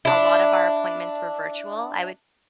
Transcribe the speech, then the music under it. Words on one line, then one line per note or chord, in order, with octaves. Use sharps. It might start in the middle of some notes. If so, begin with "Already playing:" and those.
a lot of our appointments were virtual, I would
D4 E4